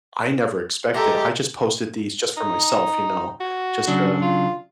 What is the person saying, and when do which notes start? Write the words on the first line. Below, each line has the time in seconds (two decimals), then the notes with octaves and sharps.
I never expected. I just posted these just for myself, you know, just to
0.94 G#3 G4 A4 E5 A#5
2.37 D#4
3.40 F#4
3.88 C#3 F#3 D4
4.22 F4